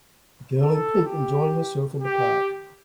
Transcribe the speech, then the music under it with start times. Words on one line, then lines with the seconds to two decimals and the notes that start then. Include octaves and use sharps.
A girl in pink enjoying herself in the park.
0.62 A4
1.05 G4
2.01 G4